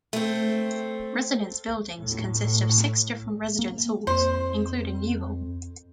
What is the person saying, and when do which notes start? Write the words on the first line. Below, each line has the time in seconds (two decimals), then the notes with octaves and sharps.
Residence buildings consist of six different residence halls, including New Hall.
0.13 A3 C4
1.97 A2
3.59 A#3
4.07 F2 C5